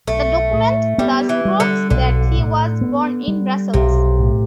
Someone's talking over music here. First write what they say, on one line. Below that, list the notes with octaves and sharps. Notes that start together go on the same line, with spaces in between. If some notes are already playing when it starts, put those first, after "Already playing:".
The document thus proves that he was born in Brussels.
B1 A3
A2
G3 B3
E3
G3
D3
B1 D3
A2
B3
G3
B1 C3
A2